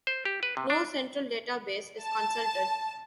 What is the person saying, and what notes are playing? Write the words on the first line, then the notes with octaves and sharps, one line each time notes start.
No central database is consulted.
C5
G4
B4
C3
D4
A5